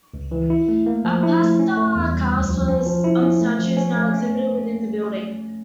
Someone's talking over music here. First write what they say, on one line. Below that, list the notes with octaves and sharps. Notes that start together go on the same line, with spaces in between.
A plaster cast of the statue is now exhibited within the building.
C#2
E3
E4
A3
A#3
F3
E4
A3
C#4
A3
E2
G3
D2
F3
C#4
F3
E4
C#4
A3
F3
C#4
A3
C#4